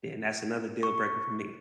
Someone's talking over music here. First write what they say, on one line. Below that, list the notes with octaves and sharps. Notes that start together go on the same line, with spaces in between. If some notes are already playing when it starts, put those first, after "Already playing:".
then that's another deal breaker for me.
C#6